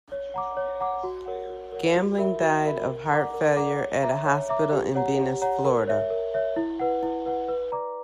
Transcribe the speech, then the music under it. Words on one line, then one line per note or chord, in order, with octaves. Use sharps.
Gambling died of heart failure at a hospital in Venice, Florida.
C#5
F#5 A#5 D6
C#5
F#5 A#5 D6
F#4
A#4 C#5 F#5
F#4
A#4 C#5 F#5
F#4
A#4 E5 B5
F#4
A#4 E5 B5
A#4
D5 F#5 A#5 D6
A#4
D5 F#5 A#5 D6
C#5
E5 A#5 D6
C#5
E5 A#5 D6
G4
C#5 F#5 A#5
G4
C#5 F#5 A#5
A#4
C#5 E5
A#4
C#5 E5
E4
B4 F#5
E4
B4 F#5
B4
D5 A#5 D6